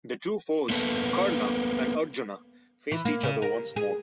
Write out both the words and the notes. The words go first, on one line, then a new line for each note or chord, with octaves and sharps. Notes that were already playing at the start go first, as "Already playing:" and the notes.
The two foes, Karna and Arjuna faced each other once more.
A#3 B3 A4 B4
E3
A#3
C#3
A#4
G#4